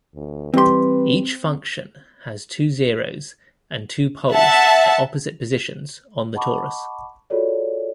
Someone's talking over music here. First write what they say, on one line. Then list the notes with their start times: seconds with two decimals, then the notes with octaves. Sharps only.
Each function has two zeroes and two poles at opposite positions on the torus.
0.15 D2
0.54 E3 G3 C4 G4 B4 C6
4.33 E5 F#5 A5
6.35 D#5 F#5 A5 B5 C#6 D6
7.30 F4 F#4 G#4 A4 C#5 D5